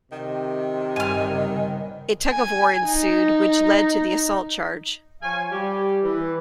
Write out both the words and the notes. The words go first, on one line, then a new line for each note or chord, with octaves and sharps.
A tug of war ensued which led to the assault charge.
C3 D#3 G5 G6
G1 G2 G#5 F6
C#3 B3
G#5
D#4
F3 C#5 F5 G#5
G3 G4
E3